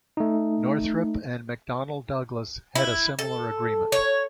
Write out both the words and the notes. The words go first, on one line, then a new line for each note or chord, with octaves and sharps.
Northrop and McDonnell Douglas had a similar agreement.
A3 D#4
E4
A4
C#5